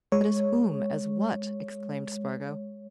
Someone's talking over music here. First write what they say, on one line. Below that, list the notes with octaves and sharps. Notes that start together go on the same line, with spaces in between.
"But as whom--as what?" exclaimed Spargo.
G#3 C#5